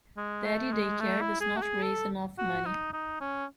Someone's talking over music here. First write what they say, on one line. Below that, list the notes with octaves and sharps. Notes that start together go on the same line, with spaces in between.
Daddy Day Care does not raise enough money.
G#3
A3
G#3
A3
E4
G#4
F#4
G#4
A4
F#4
D#4
D#4
C#4